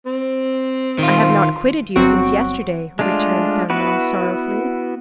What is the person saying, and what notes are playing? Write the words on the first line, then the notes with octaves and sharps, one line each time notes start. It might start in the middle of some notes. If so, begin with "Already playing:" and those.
"I have not quitted you since yesterday," returned Fernand sorrowfully.
C4
D#3 F4
G1 F#3 C4 F#4 D7
G#3 A3 D4 F4
B3 E4 F#4 B4